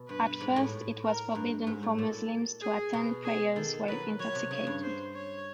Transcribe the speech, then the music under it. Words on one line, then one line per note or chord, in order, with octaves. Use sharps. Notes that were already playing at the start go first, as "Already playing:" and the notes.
At first, it was forbidden for Muslims to attend prayers while intoxicated.
Already playing: B2
G2 B4
G#2
A2
A#4
G2
G#2
A2
A#2 A4
G#4
B2
G#4
D#3 A4
F#3 B4
F#3 C#5
C3
C#3 C#5
G2
C5
C#5